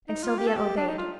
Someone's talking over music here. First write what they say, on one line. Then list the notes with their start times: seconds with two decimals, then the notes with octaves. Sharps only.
And Sylvia obeyed.
0.08 D#4
0.23 F4
0.38 G4
0.47 A4
0.56 G4
0.77 D4
0.88 D#4
0.98 F4